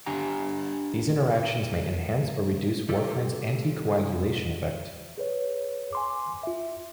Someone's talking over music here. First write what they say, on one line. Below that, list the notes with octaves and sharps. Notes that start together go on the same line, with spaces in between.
These interactions may enhance or reduce warfarin's anticoagulation effect.
D4 G4 F#5 G#5 A#5
C3 G3 F4 G4 A4
G#4 B4 C#5
G#5 C6 D6
F4 E5